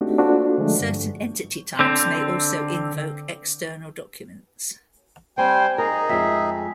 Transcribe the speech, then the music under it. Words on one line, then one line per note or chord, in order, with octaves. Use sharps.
Certain entity types may also invoke external documents.
A3 C4 D4 D#4 F#4 G4
A#3 D4 F4 F#4 A4 C5
D3 F3 G#3 A3 D4
G2
D3 C4
G3 C4 C5 G5 G#5
D#4 G#4 A#4 A#5
F2 G#3 E5